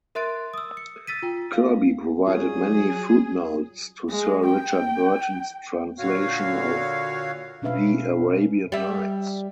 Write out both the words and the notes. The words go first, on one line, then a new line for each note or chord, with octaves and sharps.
Kirby provided many footnotes to Sir Richard Burton's translation of the "Arabian Nights".
A#4 E5 C6 F#6 A6 D7
D#6 E6
C#7
E6 A6 B6 D#7
F4 G5
F5
F#3 G3 C#4 F4 G#4
G#3
G5
A#2 D3 F#4 C#5 F5
B2 C#4 D4 B4 E5 F5
G3 E5